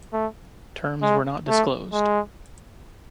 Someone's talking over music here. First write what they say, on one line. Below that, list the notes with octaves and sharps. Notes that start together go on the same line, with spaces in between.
Terms were not disclosed.
A3
G#3
A3
G#3